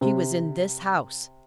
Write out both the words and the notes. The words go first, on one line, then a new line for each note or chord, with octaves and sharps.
She was in this house.
C3